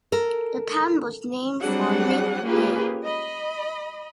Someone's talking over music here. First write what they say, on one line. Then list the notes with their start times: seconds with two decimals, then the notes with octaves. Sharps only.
The town was named for Lake Tulare.
0.12 A4 A#4
1.60 F#3 G3 C4 D4 G#4 F#5
2.43 A#3 C#4 F4 G4 G#4 B4
3.04 D#5 B5